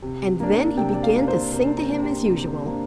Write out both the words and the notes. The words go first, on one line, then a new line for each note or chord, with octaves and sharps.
And then he began to sing to him as usual.
C3
A#3 D4
C3 G5
D5
F5
A#3 D4
C5
C3 A#4
A#5
A#3 D4
G4
C3
A#3 D4